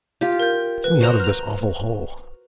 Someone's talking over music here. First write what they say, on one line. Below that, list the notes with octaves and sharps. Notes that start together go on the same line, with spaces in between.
"Get me out of this awful hole."
F4 G4
A#4 G6
B4
F#4 C5 A#5
F6 F7